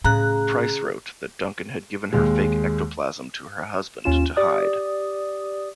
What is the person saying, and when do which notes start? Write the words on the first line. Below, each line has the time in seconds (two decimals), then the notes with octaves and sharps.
Price wrote that Duncan had given her fake ectoplasm to her husband to hide.
0.04 A2 C#3 A#5 F#6
2.13 D#2 G#3
4.04 D#2 C#4 F4 E7
4.37 G4 D5 D#6